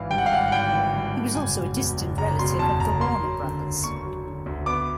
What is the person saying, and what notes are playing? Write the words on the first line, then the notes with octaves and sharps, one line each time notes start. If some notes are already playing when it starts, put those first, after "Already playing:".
He was also a distant relative of the Warner Brothers.
Already playing: G#1 E3 F5
G2 G5
F#5
F5
G#1 F#5
F#5
G#1 G5
E3
G2
G#1
F#1 G#5
B2
E2
F#1
F#1 A#5
B2 C6
E2 A5
F#1 A#5
A#3 C6
F#3
D3
D2
A#3 C#6
F#3
D3
D2
B3 D6